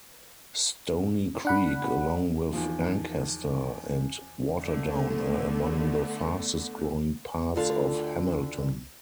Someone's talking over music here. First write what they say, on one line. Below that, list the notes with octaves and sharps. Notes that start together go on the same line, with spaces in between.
Stoney Creek, along with Ancaster and Waterdown are among the fastest-growing parts of Hamilton.
D4 F#5 B5
E2 D#3 F3
D3 A3 B3
D2 D3 F4 A4